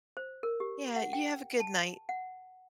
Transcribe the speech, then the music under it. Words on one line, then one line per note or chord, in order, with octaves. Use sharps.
Yeah, you have a good night.
C5
A#4
G4
F#5
G5
A5
F#5